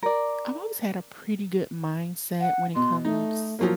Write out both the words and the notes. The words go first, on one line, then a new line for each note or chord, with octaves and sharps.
I've always had a pretty good mindset when it comes
A#4 D5
F#5
B2 C6
A3 D#4
F3 F#3 A#3